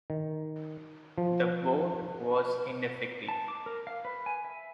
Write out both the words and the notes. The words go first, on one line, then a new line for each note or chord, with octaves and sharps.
The Board was ineffective.
D#3
F3
A5
D6
A#4
F5
B4
G#5
E5